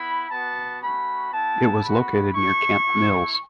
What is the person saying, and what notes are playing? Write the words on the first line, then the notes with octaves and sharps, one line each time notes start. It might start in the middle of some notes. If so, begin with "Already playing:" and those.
It was located near Camp Mills.
Already playing: B3 E4 B5
B3 F#4 A5
A3 C#4 F#4 B5
B3 E4 A5
B3 F#4 B5
A3 E4 C#6
A3 E4